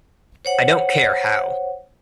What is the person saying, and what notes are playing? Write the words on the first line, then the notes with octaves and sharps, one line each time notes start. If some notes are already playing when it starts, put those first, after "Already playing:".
I don't care how.
C5 C#5 F#5